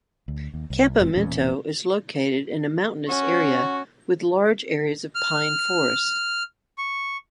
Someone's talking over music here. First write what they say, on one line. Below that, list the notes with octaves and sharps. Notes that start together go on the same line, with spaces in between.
Campamento is located in a mountainous area with large areas of pine forests.
D2
D#2
C2
F1 F#2 G#3 C4
E1 E2 A#2 C#4
C#4 F#4 C#6
F6
C#6